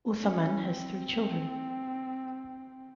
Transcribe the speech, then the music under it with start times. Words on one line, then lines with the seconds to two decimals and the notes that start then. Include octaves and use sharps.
Uthaman has three children.
0.21 C#4
0.63 C4